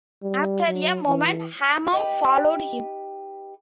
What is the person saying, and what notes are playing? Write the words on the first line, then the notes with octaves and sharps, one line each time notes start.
After a moment Hammond followed him.
G3
F#3
E3
D#4 G4 B4